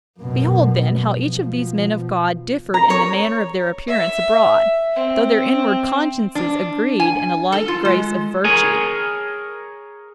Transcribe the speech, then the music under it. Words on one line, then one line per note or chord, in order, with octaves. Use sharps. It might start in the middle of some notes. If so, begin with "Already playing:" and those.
Behold then how each of these men of God differed in the manner of their appearance abroad, though their inward consciences agreed in a like grace of virtue.
F#2 B2
B2 F3
A#5
C#5
E5
C4
D4
G#5
A4
F4
G#3
G#4 A#4 C#5 G#5